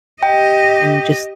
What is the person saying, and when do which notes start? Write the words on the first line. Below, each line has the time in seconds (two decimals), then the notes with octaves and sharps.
and just
0.23 G4 D#5 G5